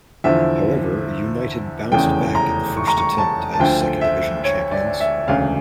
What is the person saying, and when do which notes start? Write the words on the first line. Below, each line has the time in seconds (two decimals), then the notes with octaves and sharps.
However, United bounced back at the first attempt as Second Division champions.
0.24 E2 D3 F3 E5
1.92 F1 E2 C#3 G5
2.35 A#5
2.77 C#6
2.87 A#5
2.98 C#6
3.18 A5
3.53 A5
3.59 D2 D3 F3 G5
4.01 E5
4.44 C#5
4.71 D5
5.00 E5
5.28 E1 D2 C#3 F5